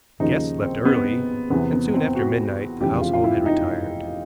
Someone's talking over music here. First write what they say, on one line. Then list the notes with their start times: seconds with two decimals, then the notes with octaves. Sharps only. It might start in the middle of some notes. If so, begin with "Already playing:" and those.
The guests left early, and soon after midnight the household had retired.
0.20 D#2 C#3 F3 D#4
0.63 C4
0.85 B3
1.50 E2 C3 E3 B3
1.72 B3
1.94 C4
2.15 F#4
2.81 F1 E2 C#3 E3 G4
3.01 F4
3.13 F4
3.24 E4
3.46 D#4